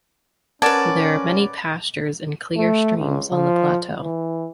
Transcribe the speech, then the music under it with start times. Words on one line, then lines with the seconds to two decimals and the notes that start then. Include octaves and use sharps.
There are many pastures and clear streams on the plateau.
0.62 C#4 A#4 B4 D5 F#5 A5 G#6
2.57 A3
2.97 C#2
3.31 F3
4.01 E3